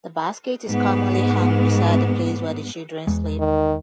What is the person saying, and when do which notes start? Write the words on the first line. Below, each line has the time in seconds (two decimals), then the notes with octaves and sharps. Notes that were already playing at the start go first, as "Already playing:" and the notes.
The basket is commonly hung beside the place where the children sleep.
0.68 G#2 B3
3.07 E2 G#3
3.39 D#3